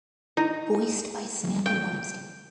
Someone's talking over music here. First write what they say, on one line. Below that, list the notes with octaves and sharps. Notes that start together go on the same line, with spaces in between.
Voiced by Samantha Weinstein.
D#4 E4
G5